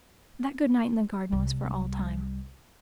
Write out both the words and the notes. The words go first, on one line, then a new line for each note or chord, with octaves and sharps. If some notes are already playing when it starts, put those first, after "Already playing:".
That good night in the garden was for all time.
C2 G3